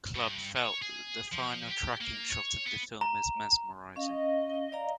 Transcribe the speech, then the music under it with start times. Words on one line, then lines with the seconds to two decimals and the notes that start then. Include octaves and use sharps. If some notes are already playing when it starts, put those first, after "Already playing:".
Club felt that the final tracking shot of the film is mesmerizing.
0.15 G2
0.56 C#5
0.82 G#4
1.32 F3
1.70 G4
2.01 A#3
2.30 C#5
2.67 B3
3.01 A#5
3.96 C#4 D#5 F5
4.72 D5 F5 A#5